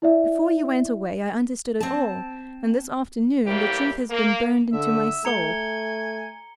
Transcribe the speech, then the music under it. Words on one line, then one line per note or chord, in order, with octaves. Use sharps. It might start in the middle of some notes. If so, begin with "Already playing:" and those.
Before you went away I understood it all, and this afternoon the truth has been burned into my soul.
E4 D5 E5
C4 A5
E2 A2 C3 G3 A#3 G4
A#3
D3 E5
A3 G#5 A#5 C#7 G7